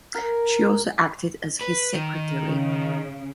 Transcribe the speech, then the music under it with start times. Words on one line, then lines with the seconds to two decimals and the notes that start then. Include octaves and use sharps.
She also acted as his secretary.
0.15 A#4 G#5
1.61 B4
1.94 D#3
2.44 C#3